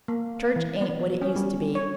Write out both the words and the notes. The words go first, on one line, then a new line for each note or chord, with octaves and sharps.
Church ain't what it used to be.
A#3
E3
B3
C#4
G3
C#5